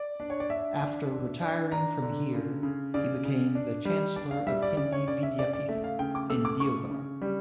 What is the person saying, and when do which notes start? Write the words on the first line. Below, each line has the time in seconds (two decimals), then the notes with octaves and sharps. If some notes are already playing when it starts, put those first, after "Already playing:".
After retiring from here he became the Chancellor of Hindi Vidyapeeth in Deoghar.
Already playing: D5
0.20 D4
0.30 C#5
0.40 D5
0.50 D4 E5
0.81 D4
1.11 D4
1.41 D4
1.72 D4 A#5
2.02 D3
2.33 C#3
2.63 C#3
2.94 C#3 D5
3.25 C#3
3.55 D4
3.85 G3
4.16 D4 D5
4.31 F5
4.47 G3 E5
4.62 D5
4.77 C#3 D5
4.92 C#5
5.08 C#3 D5
5.23 E5
5.38 C#3 D5
5.53 D5
5.69 A3 E5
5.84 F5
5.99 C#3 G5
6.15 D6
6.30 A3 E6
6.45 D6
6.60 C#3 C#6
6.91 C#3
7.22 G3